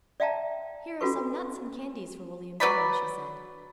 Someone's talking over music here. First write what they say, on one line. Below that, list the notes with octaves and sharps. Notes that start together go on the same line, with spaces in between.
"Here are some nuts and candies for William John," she said.
D5 E5 F5 G5 A5 A#5
C#4 F4 F#4 A4 B4 C#6
F#3 B4 D5 B5